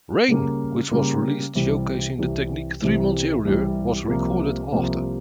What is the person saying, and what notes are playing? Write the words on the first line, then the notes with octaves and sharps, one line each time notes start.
"Rain", which was released showcasing the technique three months earlier, was recorded after.
C#3 G3 A#3
C#3 G3 A#3
C2 C3 E3 G3
C2 C3 E3 G3
C2 C3 E3 G3
C2 C3 E3 G3
C2 C3 F3 A#3
C2 C3 F3 A#3